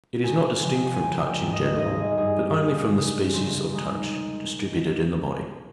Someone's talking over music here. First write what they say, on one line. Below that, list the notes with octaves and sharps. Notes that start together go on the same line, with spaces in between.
It is not distinct from touch in general, but only from the species of touch distributed in the body.
C#2 G#5
C#3 F3 G#3 G5
G#5
A#1 G5
G5
G#2 D#3 G3
D#5
G#1 D#5
G#4
G2 G3 G#4
G4
D#2 G#4
C#3 G3 G#4
F1 C5
D#2 D#3 G#3